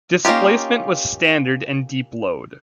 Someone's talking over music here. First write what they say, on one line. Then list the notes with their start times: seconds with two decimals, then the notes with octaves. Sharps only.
Displacement was standard and deep load.
0.25 A#3 C#4 D#4 F4 G4